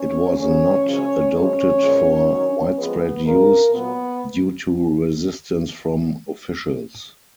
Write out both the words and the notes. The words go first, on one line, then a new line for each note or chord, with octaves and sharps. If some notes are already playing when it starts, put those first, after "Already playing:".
It was not adopted for widespread use due to resistance from officials.
Already playing: C#4 C#5
F#2 C#3 F3 C#4 C#5
F#2 C#3 F3 G#3
F#2 F3 G#3 C#4 C#5
A#2 F3 G#3
F#2 D#3 F#3
F2 F3 G#3 B3 B4
A#2 G#3 A#3 A#4
A#2 F#3 B3